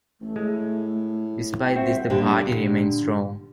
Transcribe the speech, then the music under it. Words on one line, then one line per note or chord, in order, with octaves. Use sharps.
Despite this, the party remained strong.
A1 A3
A2 G#3
B1 G5
C2 C4 F#4 C5 E5
A#2 D3 G3 A#3 D4 G4